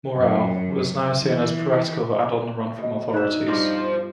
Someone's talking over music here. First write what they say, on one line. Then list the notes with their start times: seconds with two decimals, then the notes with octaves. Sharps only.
Morrell, was now seen as piratical and on the run from authorities.
0.17 F#2
1.21 E3
2.78 B2 C#5 D#5
3.13 B2 D4 D#4 C#5 E5 F#6
3.48 G2 F4 C5 D5 D6 A#6